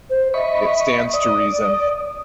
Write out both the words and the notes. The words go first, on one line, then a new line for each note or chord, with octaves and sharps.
It stands to reason.
C5
D#5 E5 B5 C#6
D5 D#6